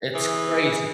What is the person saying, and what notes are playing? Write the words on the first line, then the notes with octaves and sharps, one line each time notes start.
it's crazy.
E3 G#4